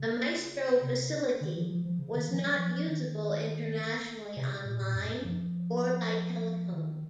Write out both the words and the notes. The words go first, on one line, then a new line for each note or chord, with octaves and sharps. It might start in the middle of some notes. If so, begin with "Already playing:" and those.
The Maestro facility was not usable internationally online or by telephone.
Already playing: C#3
C3
C#3
D#3
F3
F3
F3
C#3
D#3
F3
F#3
F3
D#3
C3
A#2
A#2
F#2
F3
D#3